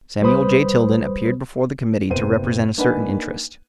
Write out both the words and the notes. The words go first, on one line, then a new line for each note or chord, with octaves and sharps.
Samuel J. Tilden appeared before the committee to represent a certain interest.
C2 G3 B4 C5 B5 D#6
F#1 C3 B3 C5 D#7
A#3 D4 D#4 B4 F#5 G#5